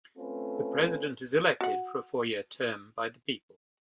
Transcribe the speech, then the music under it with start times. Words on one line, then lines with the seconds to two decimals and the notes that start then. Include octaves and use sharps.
The president is elected for a four-year term by the people.
0.17 A3 C4 C#4 F4 A4 B4
1.61 F#4 F#5